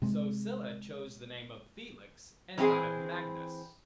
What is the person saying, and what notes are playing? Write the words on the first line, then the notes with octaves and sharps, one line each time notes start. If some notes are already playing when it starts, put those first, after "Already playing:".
So Sylla chose the name of Felix, and not of Magnus.
C3 G#3
E3 C4 E4 F#4 G#4